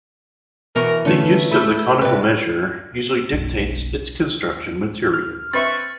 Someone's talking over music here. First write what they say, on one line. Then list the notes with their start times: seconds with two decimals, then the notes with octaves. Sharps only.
The use of the conical measure usually dictates its construction material.
0.76 B2 E3 A#4 C#6
1.05 D3 E3 A3 C#4 E4 B4
1.51 A3 B5 E6 G6
2.02 G2 C3 B4
3.32 F#1 B1
5.14 F6
5.53 C4 B4 E5 C#6 A6